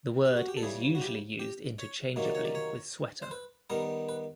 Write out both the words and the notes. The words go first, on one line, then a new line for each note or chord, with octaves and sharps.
The word is usually used interchangeably with sweater.
G4
F#4
G4
A4
C#3 E3 G3 G#4
F#4
G4
G4
C#5
C3 D#3 F#3 A#3 C#4
D5
C#5
D5
C#5
C5
B4
D#3 G3 B3 A#4
B4